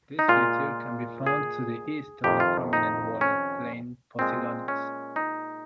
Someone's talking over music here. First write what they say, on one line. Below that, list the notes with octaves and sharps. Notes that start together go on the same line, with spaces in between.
This feature can be found to the east of the prominent walled plain Posidonius.
D#4
A#2 G#3 F4
G#4
F2 C3 D#3 G4
F4
D#4
C#4
A#2 G#3 C4
C#4
D#4